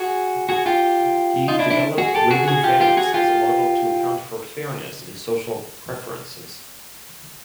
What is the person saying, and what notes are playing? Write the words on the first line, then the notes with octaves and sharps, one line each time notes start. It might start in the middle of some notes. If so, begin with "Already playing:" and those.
He developed Rabin fairness as a model to account for fairness in social preferences.
Already playing: F#4 G#4
F#4 G#4
F4 G4
D#4 F4
D4 E4
D4 E4
F#4 G#4
G4 A4
F#4 G#4
F#4 G#4
F4 G4
F4 G4
F#4 G#4
F4 G4